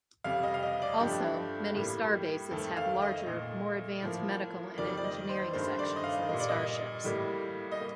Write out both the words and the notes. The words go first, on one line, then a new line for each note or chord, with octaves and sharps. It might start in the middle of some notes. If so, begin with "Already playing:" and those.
Also, many starbases have larger, more advanced medical and engineering sections than starships.
F2 C3 G3 F5
D#5
F5
D#5
D5
G2 F3 A3 G4
A2 G3 A#3
F2 D#3 A3 A4
F5
D#5
A#2 A3
A2 F3 A#3
F2 D#3 G3 A#3 D5
D5
D#5
C5
G2 D#3 A3 C5
D5
D#5
F5
A#2 G3 A#3 D#5
D5
D#5
A2 G3 A#3
D#5
A#3